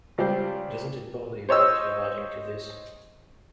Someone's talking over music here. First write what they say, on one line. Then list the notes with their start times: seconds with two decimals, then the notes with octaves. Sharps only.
Doesn't it bother you that you're adding to this?
0.18 C#2 G3 G4 C5
1.49 C5 C#5 D#5 E6